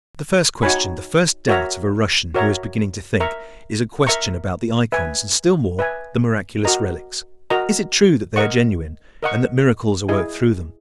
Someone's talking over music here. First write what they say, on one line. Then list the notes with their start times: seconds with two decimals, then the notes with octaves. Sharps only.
The first question, the first doubt of a Russian who is beginning to think, is a question about the ikons, and still more the miraculous relics: Is it true that they are genuine, and that miracles are worked through them?
0.63 D#4 F#4 C#5 G#5 B5
1.48 F#4 A#4 C#5 E5 A#5
2.35 F#4 A#4 C#5 E5 A#5
3.20 A#4 E5 A#5 C#6
4.07 A#4 E5 A#5 C#6
4.92 B4 E5 G#5
5.79 B4 E5 G#5
6.65 F#4 A#4 D#5 A#5
7.50 F#4 A#4 D#5 A#5
8.36 A#4 D#5 F#5 C#6
9.23 A#4 D#5 F#5 C#6
10.08 E4 G#4 D#5 G#5